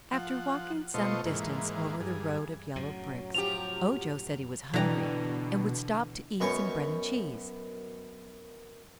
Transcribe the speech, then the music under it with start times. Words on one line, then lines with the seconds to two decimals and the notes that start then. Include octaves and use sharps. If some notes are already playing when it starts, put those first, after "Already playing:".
After walking some distance over the road of yellow bricks Ojo said he was hungry and would stop to eat some bread and cheese.
0.13 F3 F#5
0.94 B2 A3 F4 C5 D#5 C#6
1.25 G#2 E3 A#3
2.00 G2 G#4
2.76 F#2 A2 C3 F#3
3.34 F3 G4 F7
4.74 B2 D3 E3 D5 G5 A#5
6.40 F#2 B2 C#4 C#5 C#6